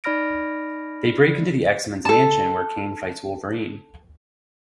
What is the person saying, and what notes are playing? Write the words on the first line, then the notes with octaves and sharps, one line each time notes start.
They break into the X-Men's mansion where Kaine fights Wolverine.
D#4 D5 B5 F6 A#6 D7
A4 A5